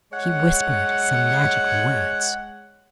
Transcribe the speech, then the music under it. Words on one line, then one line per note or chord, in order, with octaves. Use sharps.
She whispered some magical words.
G#3 C#5 F#5